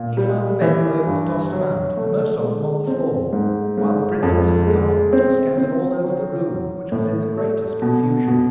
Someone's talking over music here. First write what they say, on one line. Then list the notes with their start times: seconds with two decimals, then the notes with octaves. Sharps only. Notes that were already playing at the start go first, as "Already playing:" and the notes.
He found the bedclothes tossed about, and most of them on the floor, while the princess's garments were scattered all over the room, which was in the greatest confusion.
Already playing: A#2
0.17 G3
0.61 E3
1.07 G2
1.51 F#3
1.97 A3
2.42 G#3
2.87 C4
3.32 G#2
3.77 G#2
4.23 F2
4.67 G#3
5.13 C4
5.57 C4
6.03 F#3
6.47 F#3
6.92 A2
7.38 A3
7.82 B2
8.27 B2